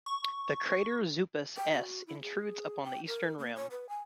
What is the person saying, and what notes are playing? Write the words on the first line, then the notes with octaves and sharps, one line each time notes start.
The crater Zupus S intrudes upon the eastern rim.
C#6
G5
F#4
E4
G#4
G5
A#4
A#3
C#5
B4
G#5